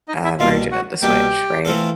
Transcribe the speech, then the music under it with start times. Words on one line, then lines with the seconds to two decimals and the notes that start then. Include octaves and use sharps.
uh, version of the Switch, right?
0.08 D#4 D#5
0.24 E4 E5
0.39 C2 B2 G3 A#3 D4 F4 F5
0.72 F#4 F#5
1.02 C2 B2 G3 A#3 D4 G4 G5
1.65 E3 A3 C4 F4 A4